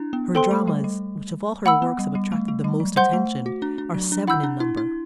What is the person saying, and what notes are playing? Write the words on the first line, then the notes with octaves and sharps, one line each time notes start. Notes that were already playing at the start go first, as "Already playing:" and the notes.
Her dramas, which, of all her works, have attracted the most attention, are seven in number.
Already playing: D4 E4
B3
B3 A4 C5 G5 C6
A3
G3
G3
A3 F#5 B5 E6
B3
G3
G3
A3
A3
G3
F#3
G3 C5 F#5 C6 G6
A3
F#4
D4
D4
F#3
D4
E4 F#5 B5 E6 G6
D4
E4
E4